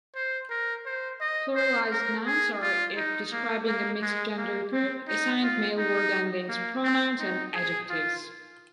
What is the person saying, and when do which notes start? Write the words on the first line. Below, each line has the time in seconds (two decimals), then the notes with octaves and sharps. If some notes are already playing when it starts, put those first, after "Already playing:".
Pluralized nouns are, if describing a mixed-gender group, assigned male word-endings, pronouns, and adjectives.
0.15 C5
0.50 A#4
0.86 C5
1.21 D#5
1.55 C5
1.91 A#4
2.26 G#4
2.62 F4
2.96 D#4
3.32 A#3
3.67 A#3
4.02 G#3
4.37 A#3
4.72 C4
5.08 D#4
5.43 F4
5.78 D#4
6.48 A#3
6.83 C4
7.19 D#4
7.54 G#4
7.89 F4